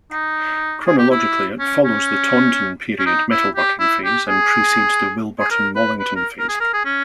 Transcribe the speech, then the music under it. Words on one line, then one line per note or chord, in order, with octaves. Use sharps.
Chronologically it follows the Taunton Period metalworking phase, and precedes the Wilburton-Wallington Phase.
D#4
G#4
G4
E4
C#4
C#4
C#4
D#4
E4
G4
E4
G4
G#4
G#4
A#4
B4
B4
A#4
A#4
G#4
A#4
G#4
C#4